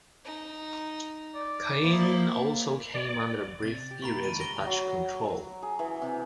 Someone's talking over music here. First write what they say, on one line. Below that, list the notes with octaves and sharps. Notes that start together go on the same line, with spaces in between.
Cayenne also came under brief periods of Dutch control.
D#4
D5
A#3 E4 C5
D5
C3 A6
G4
A#3 E4 G4 A#5 B5 C#6
D#3 G#3 C#6 D7 D#7
D3 G4 A#6 D7 G7
F#3
G#4
E3
C3